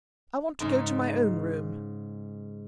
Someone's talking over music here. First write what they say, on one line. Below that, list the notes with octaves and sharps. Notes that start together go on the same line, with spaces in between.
"I want to go to my own room."
G#2 C#3